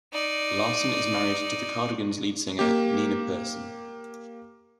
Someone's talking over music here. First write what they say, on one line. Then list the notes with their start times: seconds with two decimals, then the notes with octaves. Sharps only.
Larson is married to The Cardigans lead singer, Nina Persson.
0.12 D#4 D5
2.59 A#3 G4